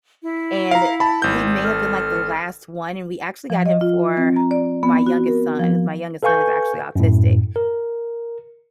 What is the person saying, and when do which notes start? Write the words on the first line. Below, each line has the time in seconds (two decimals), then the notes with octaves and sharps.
and he may have been like the last one, and we actually got him for my youngest son as my youngest son is actually autistic.
0.22 E4
0.71 F5 A#5
1.00 A5 B5
1.22 G#1 G6
1.62 A4 F6
3.50 F3
3.66 D#5
3.81 F4
4.17 C4
4.36 A#5
4.51 D5
4.83 B3
5.06 F#4
5.27 A#4
5.59 F3
6.23 A4 B4 F5 G#5 C#6 G6
6.96 F#2 A2
7.56 A#4